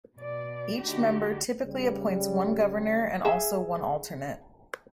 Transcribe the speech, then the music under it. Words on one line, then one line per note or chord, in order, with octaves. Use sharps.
Each member typically appoints one governor and also one alternate.
B2 D5
D3 A3 D#4 F#4 G4
C#3 G3
G#4 E5